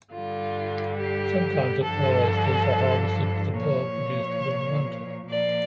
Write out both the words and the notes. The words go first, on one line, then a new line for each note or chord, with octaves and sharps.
Some kinds of pearl oysters are harvested for the pearl produced within the mantle.
G2 D3 G3 F4
G4
G2 D3 F3 A4
A#2 F3 C#5
A#2 F3 D5